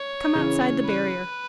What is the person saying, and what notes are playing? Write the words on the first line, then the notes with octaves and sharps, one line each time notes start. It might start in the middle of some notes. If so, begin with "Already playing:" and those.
Come outside the barrier.
Already playing: C#5
C#3 E3
B4